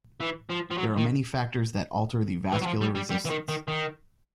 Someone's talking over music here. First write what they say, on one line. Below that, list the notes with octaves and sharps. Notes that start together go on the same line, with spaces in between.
There are many factors that alter the vascular resistance.
E3
F3
F3
F#3
D#3
E3
F#3
F3
G3
G3
G3
E3
D#3
D#3
D#3